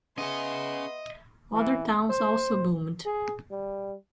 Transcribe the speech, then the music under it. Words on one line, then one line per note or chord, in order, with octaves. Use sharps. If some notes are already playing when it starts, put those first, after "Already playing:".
Other towns also boomed.
B3 C#4 G#4 D#5 E5 G#5 C6
E3
C5
G#4
G3